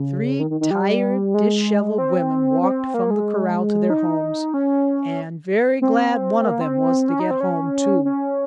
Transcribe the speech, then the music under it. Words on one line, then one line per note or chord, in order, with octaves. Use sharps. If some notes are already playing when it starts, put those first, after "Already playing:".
Three tired, disheveled women walked from the corral to their homes; and very glad one of them was to get home, too!
Already playing: C#3
D#3
D#3
D#3
G3
G#3
C4
C4
A#3
G#3
D#4
C#4
C4
A#3
C4
C#4
D#4
C4
C#4
C#4